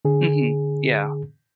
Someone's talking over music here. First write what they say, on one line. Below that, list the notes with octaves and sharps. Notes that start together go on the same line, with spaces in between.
Mhm. Yeah.
D3 G#4